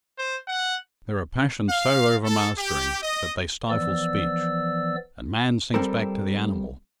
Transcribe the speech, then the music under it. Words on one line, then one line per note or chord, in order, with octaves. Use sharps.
There are passions so overmastering that they stifle speech, and man sinks back to the animal.
C5
F#5
F5
A4
G4
D#5
E3 F3 B3 D5 E6
G3 C4 A4 A#4